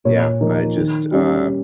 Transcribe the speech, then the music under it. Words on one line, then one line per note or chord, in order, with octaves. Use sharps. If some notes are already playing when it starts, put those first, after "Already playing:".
yeah, I just, um
A#2 C#5
F3 A#3 D#4
D#3
G3 C#4